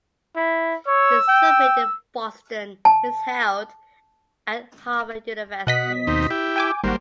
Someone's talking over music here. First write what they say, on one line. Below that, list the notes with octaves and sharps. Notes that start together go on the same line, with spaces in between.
The summit in Boston is held at Harvard University.
E4
C#5 E6
G5
A5
B2 D#5 F#5 B6
D#2 C4 D#4
E4 G4
G5 G#5 D6
G#1 G3 A#3 F#4 C5